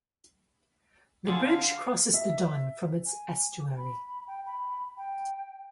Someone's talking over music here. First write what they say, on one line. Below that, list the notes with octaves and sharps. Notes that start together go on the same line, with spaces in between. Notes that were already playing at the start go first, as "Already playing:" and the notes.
The bridge crosses the Don from its estuary.
D3 F4 G#4 A4
F5
E5
G#5
B5
G5
B5
G5